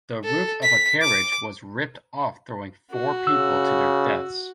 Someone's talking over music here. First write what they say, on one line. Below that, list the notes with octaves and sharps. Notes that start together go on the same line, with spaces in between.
The roof of a carriage was ripped off throwing four people to their deaths.
A4
B6
D6
F#4
C#3 E6